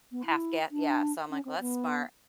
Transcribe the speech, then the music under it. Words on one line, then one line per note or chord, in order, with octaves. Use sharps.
half ga Yeah, so I'm like, "Well, that's smart.
B3
E4
D4
C#4
C4
B3